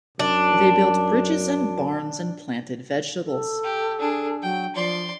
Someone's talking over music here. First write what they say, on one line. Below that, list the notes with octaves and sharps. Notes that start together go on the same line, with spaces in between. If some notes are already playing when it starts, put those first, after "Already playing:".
They built bridges and barns and planted vegetables.
F#2 D4
A4
G4
D4 G#4
F#3 G5
F3 D5 C6